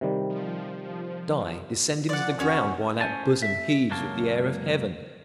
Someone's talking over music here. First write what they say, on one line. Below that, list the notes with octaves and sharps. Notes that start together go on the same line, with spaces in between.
Die, descend into the ground, while that bosom heaves with the air of heaven?
C3 D#3 G3
F3
F3 D5 F#5
D#2 C#4 F#4
A#2
C#4 C5 G#5 A5
E5
C#2 F#2 F#3 A#3 A5